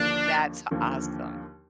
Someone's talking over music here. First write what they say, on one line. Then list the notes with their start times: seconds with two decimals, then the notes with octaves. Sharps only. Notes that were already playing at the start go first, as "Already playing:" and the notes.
That's awesome.
Already playing: D#2 D3 F3 A#3 D4
0.71 D#2 D3 F3 A#3